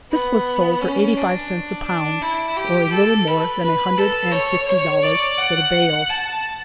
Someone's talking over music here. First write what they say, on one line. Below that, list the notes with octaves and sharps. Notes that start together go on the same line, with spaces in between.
This was sold for eighty-five cents a pound, or a little more than a hundred and fifty dollars for the bale.
B3
C#4
D4
D4
E4
G4
A4
B4
B4
A4
C#5
C#5
D5
F#5
A5